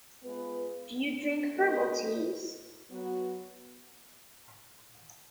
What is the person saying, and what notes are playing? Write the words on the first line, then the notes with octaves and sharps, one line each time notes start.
Do you drink herbal teas?
G#3 B3 F4 B4
G#3 B3 F#4 A#4 D#5
F#3 B3 F#4